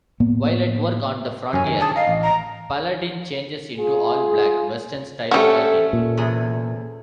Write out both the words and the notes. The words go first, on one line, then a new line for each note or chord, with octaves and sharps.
While at work on the frontier, Paladin changes into all-black western-style clothing.
A2 A#3 B3
F#2 C#4 G#5
D#3
D4 G#4 A5
D#5 F5 A#5
A1
A#5
F4 G#4
G3 A3 C4 C#4 F#4 A4
A#2
E2 C3 G#4